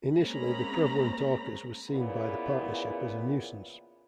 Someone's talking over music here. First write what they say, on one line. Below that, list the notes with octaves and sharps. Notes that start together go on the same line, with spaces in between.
Initially the prevalent orcas were seen by the partnership as a nuisance.
G#3 A#3 C4 C#4 A#5 B5
E2 A#2 C#3 B3 E4